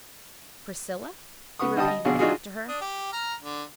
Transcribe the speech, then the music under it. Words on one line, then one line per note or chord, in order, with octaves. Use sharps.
"Priscilla?" he repeated, after her.
C#3 B3 F#5 C#6 D#6
D3 G3 D#5 G5 A5 D#6
D#5
A#1 B2 D3 G#4
D4 D#4 F4 F#4 G#4
D4 D#6
G4
A#5 F6
D3